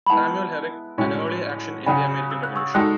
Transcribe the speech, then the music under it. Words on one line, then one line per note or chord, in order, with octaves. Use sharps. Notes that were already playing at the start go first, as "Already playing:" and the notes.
Samuel Herrick, an early action in the American Revolution.
B5
G#3 B3 E4 F#5 A5
A2 G#3 C#4 F#4
C#3 F#3 C#4 F#4 G#5 B5
E6
F#6
C#6 E6
G#3 D#4 F#4 A4 D#6 F#6